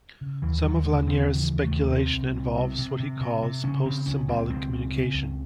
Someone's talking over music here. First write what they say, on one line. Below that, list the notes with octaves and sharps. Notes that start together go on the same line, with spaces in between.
Some of Lanier's speculation involves what he calls post-symbolic communication.
C#3
D#2 E3
D#2 F#3
C#3 G#3
D#2 C4
C#3
E3
D#2
A3
D#2
C3 C4
C2
C2
C3
C3
C3
C3
C3
C#3 C#4
C#3 C4
C#2 C#4
C#2 C4
C#2 C4
C#3
C#3
C#2